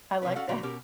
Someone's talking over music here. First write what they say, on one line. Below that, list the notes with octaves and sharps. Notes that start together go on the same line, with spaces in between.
I like that.
C3 F3 G3 C#4 B4
C#4 F#4 A4 F5 F#5
A#2 D3 F4 F#4 G5 A#5
B2 C#4 G4 A#4